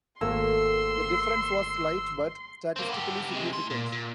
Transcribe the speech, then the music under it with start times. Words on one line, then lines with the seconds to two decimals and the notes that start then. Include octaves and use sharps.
The difference was slight, but statistically significant.
0.21 G#1 A3 A#3 A4 C6 E6
2.76 A#3 C4
2.90 B3 G4
3.31 C3 G#3
3.53 A2 C6
3.71 A#2
3.92 A#2